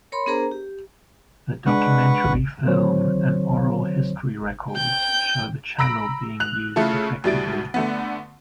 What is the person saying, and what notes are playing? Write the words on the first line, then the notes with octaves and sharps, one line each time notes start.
The documentary film and oral history records show the channel being used effectively.
A#4 C#5 B5 C6
B3 D4 G#4 A#4 C5 A#5
G4
G#3 D4 B4 F#5 C#6
D3 D#3 F#3 C4 C5 C#5
G5 G6
A#5 B5 E6 A#6 D7
F#6 F7
C#3 A3 E4 F4 A4
D2 B2 G3 E4 A6 D7
D3 A3 B3